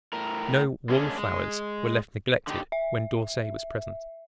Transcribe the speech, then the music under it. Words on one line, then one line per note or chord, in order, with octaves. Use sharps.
No "wallflowers" were left neglected when D'Orsay was present.
A2 A#4
G#3 A#3 C#4 D4
G#3
D3 D#4 G4
E5